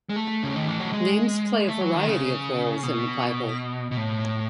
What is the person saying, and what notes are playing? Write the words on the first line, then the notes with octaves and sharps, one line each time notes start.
Names play a variety of roles in the Bible.
G#3
A3
C#3
D#3
E3
F#3
G#3
A3
F#3
D#3
C#3
B2
B2
A2